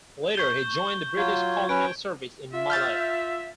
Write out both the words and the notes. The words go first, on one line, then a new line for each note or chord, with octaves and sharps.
Later he joined the British colonial service in Malaya.
C#6 G6 G7
F#3 F4 G#6
C#4 B4 D7
F4 E5
F6 G6 A6